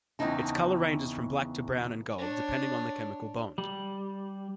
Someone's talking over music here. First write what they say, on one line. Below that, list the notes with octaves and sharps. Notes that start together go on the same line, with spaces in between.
Its color ranges from black to brown and gold, depending on the chemical bond.
E2 A#2 C#3 C4 D#4 A5
D4 C#5
G3